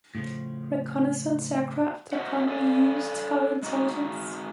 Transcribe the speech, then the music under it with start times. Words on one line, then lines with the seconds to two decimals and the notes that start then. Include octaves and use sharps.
Reconnaissance aircraft are primarily used to gather intelligence.
0.15 A2 C#3 F3
2.13 F#4 A#4 C5 D#5 E5 F#5
2.48 A4 D5 F5 G#5
3.63 G#3 D#4 F#4